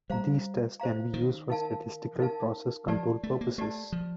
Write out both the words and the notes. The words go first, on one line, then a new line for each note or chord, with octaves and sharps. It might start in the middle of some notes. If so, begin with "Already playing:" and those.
These tests can be used for statistical process control purposes.
G3 C5 F5 A#5
C5 F5 A#5
D#3
D#4 A#4 F5 A5
D#4 A#4 F5 A5
F3 G4 D5 A5
A3
A#3
A3 G4 D5 A5
F3